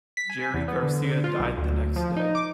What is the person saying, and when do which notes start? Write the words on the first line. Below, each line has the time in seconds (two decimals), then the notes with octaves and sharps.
Jerry Garcia died the next day.
0.17 B6
0.30 G#5
0.54 E2
0.68 B3
0.83 D3
1.24 F4
1.39 B1
1.58 D2
1.96 F3
2.17 D#4
2.35 D6